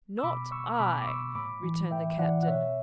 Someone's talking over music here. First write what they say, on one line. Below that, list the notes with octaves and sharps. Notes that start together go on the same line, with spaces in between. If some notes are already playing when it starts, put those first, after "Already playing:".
"Not I," returned the captain.
E6
B2 B5 D6
C#6 E6
B2 B5 D6
D6
C#6 E6
A2 B5 D6
E3
A2 E5 G5
E3 D5 F#5
F#5
B2 C#5 E5